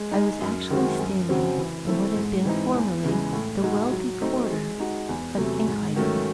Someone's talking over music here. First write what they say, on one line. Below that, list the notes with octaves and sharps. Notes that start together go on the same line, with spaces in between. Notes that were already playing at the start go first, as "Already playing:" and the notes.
I was actually standing on what had been formerly the wealthy quarter of Enkhuizen!
Already playing: G#3
D#4 G#4 D#5
F#2
D#3 G#3 C4 F#4
F#2
C#3 F#3 C4 F#4
E3
A3 C4 E4 A4
G#2
E3 C4 D#4
E2
C#3 E3 G#3
A2
G#3 D#4 F#4
F#3
A3 C4 D#4
G#3
D#4 F#4
E2
C3 F#3 A3
G#2
D#3 F#3 A3 C#4